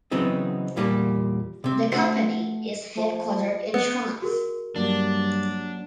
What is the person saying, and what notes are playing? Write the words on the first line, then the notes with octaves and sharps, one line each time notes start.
The company is headquartered in Schruns.
C#3 E3 F#3 B3 C4 D#4
E2 A#2 G3 A#3 G#4 A5
C3 C4
A3 F#4 C5 F#5
F3
B3
F#4 G#4 A#4
G2 F#3 A#3 D4